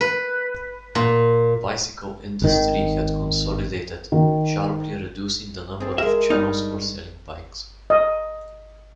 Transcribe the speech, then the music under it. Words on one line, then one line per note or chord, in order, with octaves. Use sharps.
Bicycle industry had consolidated, sharply reducing the number of channels for selling bikes.
B4
A#2
G#1 D#3
D#3
C4 G#4 A4
G#3 G#4 A#4 E5
G2 G3 D#4 F6
D#5